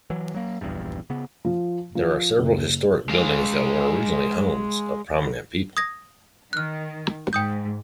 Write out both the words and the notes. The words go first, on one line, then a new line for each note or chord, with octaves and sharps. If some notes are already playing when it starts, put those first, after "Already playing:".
There are several historic buildings that were originally homes of prominent people.
E3 F#3
F#3 A#3
D#1 A#1 E2 G2
C#3 B3
F3
F3
F#1
G#3 F5
D#6 G#6 A#6
D#3 F6 F#6
G#2 G5 D#6 G6